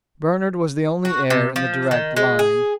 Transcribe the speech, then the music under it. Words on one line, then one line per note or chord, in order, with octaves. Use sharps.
"Bernard was the only heir in the direct line."
F#4
C3
F3
D#3
G#3
G#4